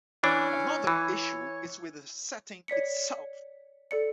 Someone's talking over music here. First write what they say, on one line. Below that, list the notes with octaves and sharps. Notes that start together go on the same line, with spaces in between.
Another issue is with the setting itself.
E3 C#4 D4
E3 C#5
C#5 D5 B6 C#7
A4 D5 C#7